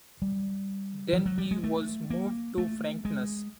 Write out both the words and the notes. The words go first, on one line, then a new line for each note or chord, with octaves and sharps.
Then he was moved to frankness.
G3
F3
F#3
G3
G#3
A3
A#3
A3
G#3